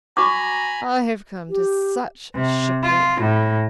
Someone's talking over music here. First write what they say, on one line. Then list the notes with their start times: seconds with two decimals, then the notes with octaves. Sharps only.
I have come to such shipwreck!
0.17 F#4 G#5 A#5 B5 C#6 D6
1.50 G4
2.35 C3
2.83 F4
3.22 A2